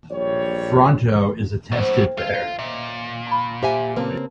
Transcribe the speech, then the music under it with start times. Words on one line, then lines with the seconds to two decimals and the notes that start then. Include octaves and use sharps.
Fronto is attested there.
0.11 A#1 G3 C#5
1.72 A2 F#3 A#3 C4 A4
2.17 F4 A4 F5
2.59 A#2 C#4 D#5 E5
3.27 A5 B5
3.63 G4 C5 E5 G#5
3.96 C#3 A#3 C4 B4 A5